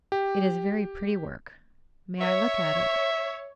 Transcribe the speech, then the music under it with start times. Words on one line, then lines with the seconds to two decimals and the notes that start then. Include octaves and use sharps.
"It is very pretty work--may I look at it?"
0.12 G4
2.21 C#5 E5